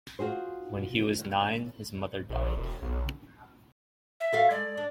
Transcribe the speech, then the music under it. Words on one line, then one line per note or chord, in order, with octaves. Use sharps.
When he was nine, his mother died.
F4 F#4 G#4 C5
A#1
E1
B1
E5
F#4 A4 F5
G#3 D5
D4